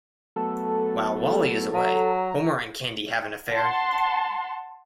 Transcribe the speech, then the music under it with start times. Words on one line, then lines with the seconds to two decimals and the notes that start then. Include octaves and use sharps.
While Wally is away, Homer and Candy have an affair.
0.36 F#3 A3 B3 A4
1.74 F#3 A#5
3.51 F#5 A5 C6